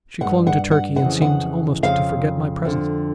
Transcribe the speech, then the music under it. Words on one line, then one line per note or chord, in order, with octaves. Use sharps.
She clung to Turkey, and seemed almost to forget my presence.
G2 E3 F#5
F#5
F#5
F#5
F2 C#3 E3
F#5
F2 C#3 F5
F2 D3